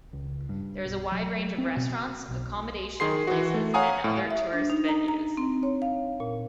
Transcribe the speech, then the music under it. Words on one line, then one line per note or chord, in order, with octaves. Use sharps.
There is a wide range of restaurants, accommodation places and other tourist venues.
C#2
G2
B1
F#3
C4
B2
B1
D#3 G#4 C6 C7
E3 F#4
A3
C#5 F5 F#5 G#5 A#5 D#6
A2
E5
D4
D#4
A#5
A#5
C4
C#5
F5
A#2